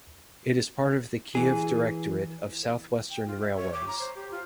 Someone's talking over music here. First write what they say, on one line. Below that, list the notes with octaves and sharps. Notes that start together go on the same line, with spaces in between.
It is part of the Kyiv Directorate of Southwestern Railways.
E3 G#4
G5
F4
E5
C#5
D6
A#5
C5
G4
F4